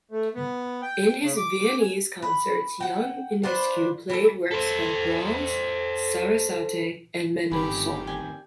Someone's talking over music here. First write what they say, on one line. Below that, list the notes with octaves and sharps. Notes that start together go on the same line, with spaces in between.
In his Viennese concerts young Enescu played works by Brahms, Sarasate and Mendelssohn.
A3
B3
G5
C#3
D6
G#5
B4
F#5 G5
D4 F4 B4 C5
E3 A4
A4 C5
G1 F2 D#3 G4 G#4 G#5 B5
D5 G5 G#5